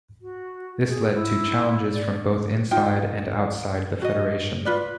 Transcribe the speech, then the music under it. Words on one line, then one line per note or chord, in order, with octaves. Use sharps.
This led to challenges from both inside and outside the Federation.
F#4
G#4
E4
D5
D#4 F4 G5
F#4 D#5
F4 B4 D5